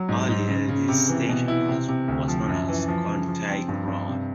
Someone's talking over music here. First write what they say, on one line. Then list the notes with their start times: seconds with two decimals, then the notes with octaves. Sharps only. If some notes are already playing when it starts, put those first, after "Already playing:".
Earlier this station was known as Contai Road.
Already playing: F#3
0.09 G#2
0.29 G#2
0.48 C#3
0.68 C#3
0.88 C3
1.08 E3
1.29 B2
1.48 E4
1.68 C3
1.88 C3
2.08 D2
2.28 F3
2.48 F#2
2.69 E3
2.88 F3
3.08 C#3
3.28 F3
3.48 C4
3.68 G2
3.88 G2
4.08 C3